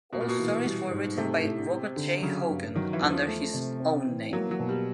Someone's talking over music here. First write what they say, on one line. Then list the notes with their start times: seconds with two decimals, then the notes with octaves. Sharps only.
All stories were written by Robert J. Hogan, under his own name.
0.13 B2 A#3
0.21 A#2
0.28 B2
0.38 E3
0.65 G3
0.91 G#2
1.17 C3 A3
1.43 A2
1.71 C4
1.96 D3
2.22 C#3 F#3
2.49 G2
2.75 D#3 F#3
2.93 E3
3.01 E2
3.10 F3
3.28 A3
3.54 C3
3.80 C4
4.07 E3
4.33 F#3 A#3
4.51 F#3
4.60 B2
4.69 G3